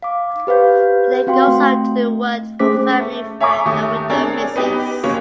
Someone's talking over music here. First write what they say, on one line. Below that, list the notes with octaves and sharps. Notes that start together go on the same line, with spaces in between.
He then goes off to do work for family friend and widow Mrs.
F5 D6
G4 B4 C5 F5 G6
C4 F#4 F5 G5 C6
A3
A3 C#4 G#4 C5 D6 B6
A3
C#5 E5 G#5 A#5 C#6 D6
D#2 A3 D#6
C4 D4 G#4 A#4 C#5
B3 D#4 G4
F#1 A#3 C#4 C#5